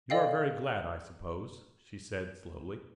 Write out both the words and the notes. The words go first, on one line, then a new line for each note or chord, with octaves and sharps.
"You are very glad, I suppose," she said slowly.
A4 D5 D#5 F5 G5 C7